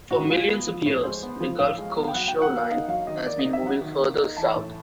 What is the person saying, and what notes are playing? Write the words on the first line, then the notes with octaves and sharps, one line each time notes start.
For millions of years, the Gulf Coast shoreline has been moving farther south.
A2 F#4
G#3 F4
B3
F3
A2
G#3 C5
B3
F3
A2 F5
G#3
B3
G5
F#3 F#5
G5
D#3
F#5
A#3
F5
D#4 F5
F#3 F5
D#3 D#5
A#3 D5
D#5
D#4
E5
F#3 F#5
D#3
A#3
D#4
E3 A5
A2